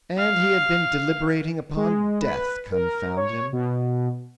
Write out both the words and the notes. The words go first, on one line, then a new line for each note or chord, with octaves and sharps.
And he had been deliberating upon death--confound him!
F5
G#3
B4
A#4
C#5
B2